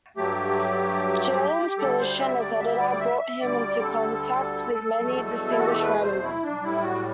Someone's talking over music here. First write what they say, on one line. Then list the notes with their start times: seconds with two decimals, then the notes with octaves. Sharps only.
Jerdan's position as editor brought him into contact with many distinguished writers.
0.17 G2 F#3 A3 G4
1.78 D2 D3 G3 A4
1.99 C5
2.20 E5
2.40 D5
2.59 E5
2.79 D5
2.90 D5
3.00 E5
3.20 E5
3.40 D2 D3 G3 D5
3.80 A4
5.02 E2 B2 A3
5.50 E4
5.58 F#4
5.66 G4
5.75 A4
5.82 B4
6.03 C5
6.22 E4
6.43 D4
6.63 A2 G3 E4
6.83 F#4